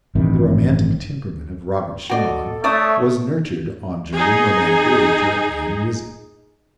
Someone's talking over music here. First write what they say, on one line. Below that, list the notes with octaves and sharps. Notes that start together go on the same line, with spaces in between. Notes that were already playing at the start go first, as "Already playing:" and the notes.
The romantic temperament of Robert Schumann was nurtured on German romantic literature and music.
A1 G2 C3 D#3
F#4 A4 D5 D#5
A3 C#5 D5 E5 D#6
D#4 G#4